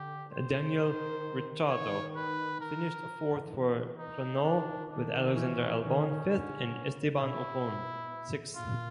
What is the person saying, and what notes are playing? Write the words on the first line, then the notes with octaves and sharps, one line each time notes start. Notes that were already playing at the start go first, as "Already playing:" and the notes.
Daniel Ricciardo finished fourth for Renault with Alexander Albon fifth and Esteban Ocon sixth.
Already playing: D3 G4
C5
D#3
D#3 C#5
B4
A#4
E3
D#4
D#3 D4
D#3 D4
E3 C#4
D#3 C#4
D3
C#3
B2 E4
B2
A#2 F4